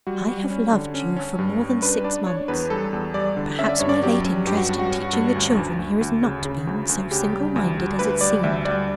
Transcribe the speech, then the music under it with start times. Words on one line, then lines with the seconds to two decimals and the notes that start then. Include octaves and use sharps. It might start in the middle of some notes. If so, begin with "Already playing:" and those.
I have loved you for more than six months! Perhaps my late interest in teaching the children here has not been so single-minded as it seemed.
0.07 G3 F#4
0.28 G3
0.50 C#4
0.73 D3
0.94 C#4
1.17 C#4
1.39 G2
1.61 G3
1.82 D4 B4
2.04 D4 D5
2.26 D4 C#5
2.48 E2 B4
2.70 G3 A4
2.93 E2
3.14 G3 D5
3.37 D3
3.59 C#4 E5
3.69 D5
3.79 G2 C#5
3.89 D5
4.03 F#3 G4
4.25 C#4
4.47 G2 G4
4.57 F#4
4.69 G2
4.79 F#4
4.91 C#4
5.13 G2
5.35 D2
5.57 D2
5.79 D2
6.01 D2
6.23 C#3
6.45 C#3
6.67 D2
6.89 D2
7.11 C#3 G4
7.33 G3
7.56 D2
7.77 G3
7.99 D2 B4
8.21 G3 D5
8.43 D2 E5
8.65 G3 D5